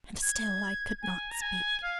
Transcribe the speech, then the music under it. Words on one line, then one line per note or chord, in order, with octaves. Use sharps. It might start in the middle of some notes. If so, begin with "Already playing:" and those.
And still I could not speak.
G#6
G#5
A#5
G#5
F5